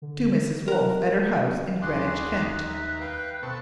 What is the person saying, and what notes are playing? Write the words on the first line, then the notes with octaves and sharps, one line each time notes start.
To Mrs. Wolfe, at her house in Greenwich, Kent.
D3
F#3 A#4 F#5
C4
D#2 D4 F#4 G#4 C6 F#6
D#2
E5 A#5
B4 F5 G5
B2 C4 A4 C#6